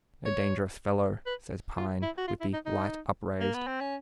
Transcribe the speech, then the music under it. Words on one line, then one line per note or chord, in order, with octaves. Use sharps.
"A dangerous fellow," says Pine, with the light upraised.
C#5
B4
F4
E4
F#4
F4
E4
D#4
D#4
A#3
B3
C4
C#4